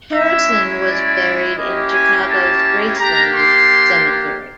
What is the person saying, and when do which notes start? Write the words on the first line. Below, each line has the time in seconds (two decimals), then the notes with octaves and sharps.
Harrison was buried in Chicago's Graceland Cemetery.
0.13 G#3 C#4 E4 E5
0.85 D5
1.56 A#3 C#4 E4 G4 D#5
1.91 G#5
2.28 A5
2.99 A#3 D4 G4 A#5
3.34 C6